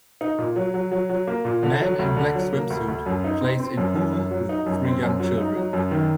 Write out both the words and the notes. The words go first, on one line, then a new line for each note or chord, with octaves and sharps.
Man in black swimsuit plays in pool with three young children.
D#4
A#2
F#3
F#3
F#3
F#3
A#3
A#2
D3
F#3
D2
D3
F#3
A#3
D2
D2
F#2
D#4
C4
C4
F#2
F#2
F#2
F#3
D#4
F#2
C4
F#2
F#3
D#4
F#3
F#2
D#3